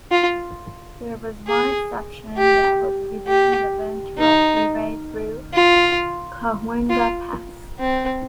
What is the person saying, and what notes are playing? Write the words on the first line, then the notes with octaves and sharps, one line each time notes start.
There was one exception that was within the Ventura Freeway through Cahuenga Pass.
F4
G#4
G4
G4
D#4
F4
F4
C4